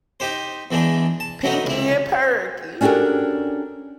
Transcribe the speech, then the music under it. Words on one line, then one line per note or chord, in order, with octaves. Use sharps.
Pinky and Perky!
D#4 G4 C5
E2 E3 G#3 D4
A5
F#3 A3 B3 D#4
C#2 E4
C#4 D4 F#4 G4 A4 A#4